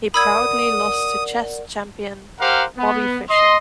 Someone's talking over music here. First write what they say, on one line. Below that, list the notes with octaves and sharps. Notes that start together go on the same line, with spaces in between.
He proudly lost to chess champion Bobby Fischer.
A#4 D5 F#5 B5 D#6 E6 G#6
G4 A#4 C5 F5 F#5 A#5
B3
D#5 C6